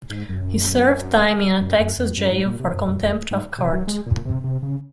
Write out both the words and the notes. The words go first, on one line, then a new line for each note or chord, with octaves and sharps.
He served time in a Texas jail for contempt of court.
G#2
F#2
F#2
F#2
F2
F#2
G#2
A#2
C3
F#2
F#2
F2
G#2
C3
F#3
G#3
A#2
C3
C3
C#3